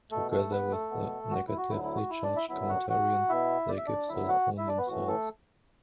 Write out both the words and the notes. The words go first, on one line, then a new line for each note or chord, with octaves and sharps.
Together with a negatively charged counterion, they give sulfonium salts.
B2 A3 A4
A3 A4
B3 B4
A3 A4
B2 B3
F#4
E4
F#4
D2 D3 F#3 E4
E4
F#4
E4
D4 D5
E4 E5
F#2 D3 F#3 B3 E4 E5
F#4 F#5
F#4 F#5
B2 B3 E4 E5
D5
E5
D4 D5
D2 D3 F#3 B3 E4 E5
F#4 F#5
E4 E5
D4 D5
B3 B4
A2 E3 A3 F#4
A3 A4